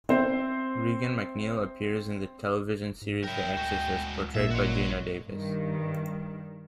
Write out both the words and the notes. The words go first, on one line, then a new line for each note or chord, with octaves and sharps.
Regan MacNeil appears in the television series "The Exorcist" portrayed by Geena Davis.
C4 C5 E5
G#2
F#3 E4 A#4 G5
D2 G#3 F#4
A1 A#2 A4 E5
G#3 F#4 C#5
G2 D#3